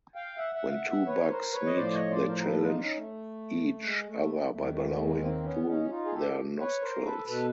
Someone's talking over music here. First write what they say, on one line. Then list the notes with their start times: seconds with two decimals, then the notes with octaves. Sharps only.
When two bucks meet they challenge each other by blowing through their nostrils.
0.15 F5 G5
0.38 E5 F#5
0.55 E5 F#5
0.68 F5
0.72 E5 F#5
0.89 E5 F#5
1.07 B4 C#5
1.30 A#4 C5
1.53 B4 C#5
1.67 D#5
1.75 A2 F3 C5 D5
1.93 C#5 D#5
2.10 C5 D5
2.28 A#4 C5
2.38 A#4
2.45 A4 B4
2.62 D#4 F4
2.73 D4
2.79 C#4 D#4
2.96 A3
3.83 G#3
4.06 A3
4.52 D#2 D#3 A3
4.69 A3
4.86 A3
5.03 G#3 A#3
5.21 A#3 C4
5.43 B3 C#4
5.66 C#4 D#4
5.90 D#4 F4
6.06 G#4
6.12 G4 A4
6.59 B4 C#5
6.82 A#4 C5
7.05 A4 B4
7.27 B2 A4 B4